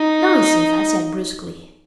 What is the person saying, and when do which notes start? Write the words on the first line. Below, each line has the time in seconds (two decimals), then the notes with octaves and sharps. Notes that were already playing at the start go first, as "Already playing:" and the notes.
"Nonsense!" I said bruskly.
Already playing: D#4